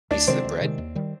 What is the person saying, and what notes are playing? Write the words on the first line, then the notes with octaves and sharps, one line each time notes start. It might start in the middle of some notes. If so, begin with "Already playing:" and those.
pieces of bread?
D2 D4
C3 D#3 G#3 C4
D2
C3 D#3 G#3
D#2
D#3 G3